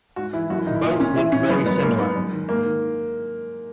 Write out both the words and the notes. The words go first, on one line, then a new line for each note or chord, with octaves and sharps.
Both looked very similar.
G#2 F#4
E3 E4
F#2 F#4
E4
D#3 D#4
E4
A#2
A#2 C#4
E3 E4
E3 C#4
F#2 B3
F#2 B3
G#2 A#3
G#2 B3
F#2
D#3
G#2 A#3
D#3